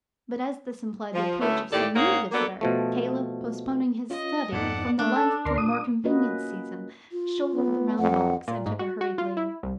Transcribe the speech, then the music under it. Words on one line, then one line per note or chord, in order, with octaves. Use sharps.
But, as this implied the approach of some new visitor, Caleb, postponing his study from the life to a more convenient season, shouldered the round box, and took a hurried leave.
F3
D2 A3 B3 C#4 E4
D#2 A2 G4 A4 D5
G#2 A#3 C#4 G#4 F5 F#5
A#3 B3 D4 F#4 A4
B2 F3 A3
C#4 F4 D#5
F2 G#2 B3 D#4 A4 D5 F#5
A3 D4
A4 A5
D2 A#4 D5 C6
A#2 D#6
A#3 C#4 F4 F#4 B4 D#5
F4
B3
F2 F#5
A#2
G#2
F#4
F#4
F4
E4
C2